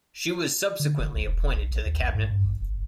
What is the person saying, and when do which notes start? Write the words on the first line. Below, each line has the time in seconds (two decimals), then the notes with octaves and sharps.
She was subsequently appointed to the Cabinet.
0.80 D3
0.99 F#1
1.15 C2
1.27 E1
1.54 B1
1.71 A1
1.86 D#2
2.02 A1
2.15 G#2
2.30 G2
2.45 A1
2.61 F#1